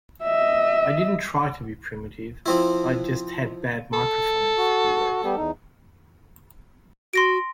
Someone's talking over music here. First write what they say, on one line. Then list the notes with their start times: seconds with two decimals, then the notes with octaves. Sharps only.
"I didn't try to be primitive, I just had bad microphones", he wrote.
0.23 D#5 E5
2.46 F3 C4 E4
3.93 A4
4.58 F#4
5.24 G3 B3 G4
5.37 E2 D#4
7.13 F#4 C6 A#6 D7